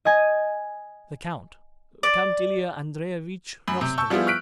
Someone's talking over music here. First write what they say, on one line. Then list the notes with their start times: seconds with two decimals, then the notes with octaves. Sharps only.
"The count--Count Ilya Andreevich Rostov."
0.05 D#5 G#5
2.03 D5
3.68 F#2 B5
3.81 C3
3.98 A5 C#6 E6 G6
4.10 F3 G3 B3 E4 F4 G#4
4.26 C#6 F6 F#6 B6 D7